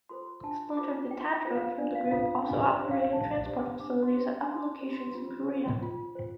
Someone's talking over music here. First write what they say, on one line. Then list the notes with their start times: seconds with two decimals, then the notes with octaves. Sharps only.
Splinter detachment from the group also operated transport facilities at other locations in Korea.
0.09 F4 A4 C5 C6
0.43 D4 A5
0.77 F4 A4 C5 D6
1.11 D4 G5
1.33 G5
1.45 F4 A4 C5
1.55 F5
1.78 D4 D5
1.95 F5
2.11 F4 A4 C5 F5
2.46 D4
2.68 D5
2.79 G4 C5
2.91 F5
3.13 D4 A5
3.46 G4 C5
3.58 D6
3.80 D4 D6
4.03 C6
4.14 G4 C5
4.25 G5
4.48 D4 C6
4.81 C5
4.86 G4
4.93 C6
5.15 F4
5.48 C5
5.82 F4
6.15 C5